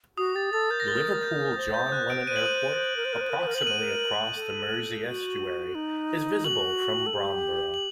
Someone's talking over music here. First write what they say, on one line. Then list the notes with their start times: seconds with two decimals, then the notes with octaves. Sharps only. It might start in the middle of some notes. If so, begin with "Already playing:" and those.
Liverpool John Lennon Airport, approximately across the Mersey Estuary, is visible from Bromborough.
0.18 F#4 D#6
0.35 G4 A6
0.53 A4 A6
0.70 A#4 G6
0.80 A#6
0.88 A6
1.23 G6
1.57 C5
1.74 G6
1.92 F#6
2.10 D7
2.27 C5 D#7
2.36 F#7
2.46 D#7
2.97 A#4
3.05 C5
3.13 A#4
3.21 C5
3.30 A#4
3.38 C5
3.47 A#4
3.55 C5 F#7
3.63 A#4
3.67 C5 D#7
3.79 A#4
4.36 A4
5.05 F#4
5.75 D#4
6.44 F#4 F#7
7.06 A4
7.15 G4
7.74 F#7